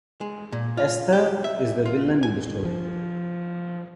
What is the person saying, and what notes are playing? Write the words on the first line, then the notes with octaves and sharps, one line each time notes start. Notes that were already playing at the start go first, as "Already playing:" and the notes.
Esther is the villain in the story.
G#3
A#2
F4
G4
E5
F4
G#5
F3